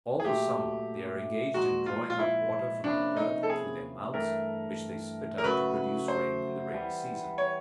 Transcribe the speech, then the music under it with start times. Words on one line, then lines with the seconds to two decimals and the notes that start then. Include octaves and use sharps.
All the summer they are engaged in drawing up water from the earth through their mouths, which they spit out to produce rain in the rainy season.
0.20 G#4
0.25 A#2 F#3 A3 G4
1.54 A#2 F3 G#3 F#4
1.86 F4
2.10 F4
2.19 E4
2.84 C3 F3 A#3 C#4 D4 E4
3.17 D#4
3.43 A4
3.50 G#4
4.13 G2 E3 A3 A#4
5.38 A#4
5.43 C#3 F#3 A3 C#4 F#4 B4
6.08 C5
6.73 E3 G3 B3
7.38 C#5